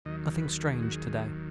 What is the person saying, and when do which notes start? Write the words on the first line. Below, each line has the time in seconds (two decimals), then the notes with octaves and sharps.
Nothing strange to day.
0.05 D#2 D#3 F#3 D#5
0.39 B4
0.73 G#4
0.82 F#4
0.92 G#4